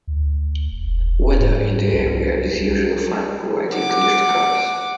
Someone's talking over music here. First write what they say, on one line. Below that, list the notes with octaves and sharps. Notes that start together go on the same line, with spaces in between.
Weather in the area is usually fine providing clear skies.
D2
E1
G#2
C2
F#5 D6